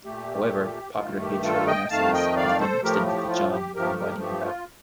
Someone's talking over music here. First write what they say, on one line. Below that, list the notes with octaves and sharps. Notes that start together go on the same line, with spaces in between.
However, popular hatred of Narses was then extended to John for inviting him back.
A#2 A3 G4
G2 D#3 A3 F4
G4
F4 A4
D#5 G5
F2 D#3 A3 F5 A5
D#5 G5
D5 F5
A4 C5
A2 F3 A3 G4 A#4
G4
F4
G4
G2 F3 A3 G4 A#4
G4 A#4
G4
F4